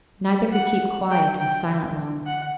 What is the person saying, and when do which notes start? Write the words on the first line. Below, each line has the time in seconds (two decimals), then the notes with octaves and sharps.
Neither could keep quiet and silent long.
0.52 F#5
1.11 G5
1.40 G5
2.26 F#5